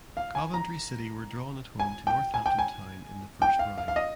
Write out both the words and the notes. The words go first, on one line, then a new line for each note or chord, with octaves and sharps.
Coventry City were drawn at home to Northampton Town in the first round.
F5
G#5
A#5
G#5
G5
G#5
G5
G#5
G5
F5
F5
F5
D#5